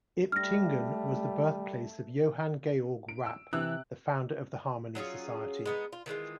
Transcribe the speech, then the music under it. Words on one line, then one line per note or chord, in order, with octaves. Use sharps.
Iptingen was the birthplace of Johann Georg Rapp, the founder of the Harmony Society.
G3 A3 F6 A#6
D7
E6
C3 E3 E6 F#6
F#3 C#4 F4 G#4
G#3 B3 D#4
F4
D#3 E3 G#3 F4